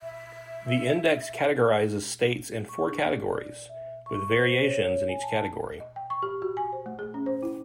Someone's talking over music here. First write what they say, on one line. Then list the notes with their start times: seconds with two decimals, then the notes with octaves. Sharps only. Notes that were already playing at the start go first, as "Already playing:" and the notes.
The Index categorizes states in four categories, with variations in each category.
0.02 E5
2.69 C#6
2.85 D4
3.09 D5
3.69 E5
4.06 C#6
4.37 C5
4.64 C#5
5.09 G#5
5.23 A5
5.80 D#5
5.96 G5
6.10 C#6
6.23 G4
6.42 F#4
6.57 G#5
6.73 C5
6.86 A3
6.99 G#4
7.14 C#4
7.26 C5
7.43 E4